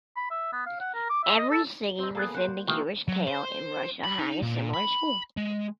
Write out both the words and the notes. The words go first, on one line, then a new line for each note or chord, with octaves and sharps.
Every city within the Jewish Pale in Russia had a similar school.
B5
E5
B3
F5
F#5
A#4
D6
E5
D#5
A4
C4 D#5
A#3 B3 G#4 A4
C5 F#5
D#3 E3 A#3 F#4
F#3
C5
B5
D#4
A#2
B5
G#3